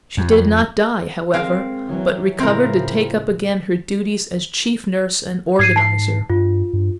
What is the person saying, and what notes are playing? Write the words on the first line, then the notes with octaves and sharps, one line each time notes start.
She did not die, however, but recovered to take up again her duties as chief nurse and organizer.
F2
G#3 C4 A#4 F5
E3 F#3
A2 C#3 F3 C4 E4 A#4
G#2 G#6 C7 D#7
A5 C7
G2 F4
G2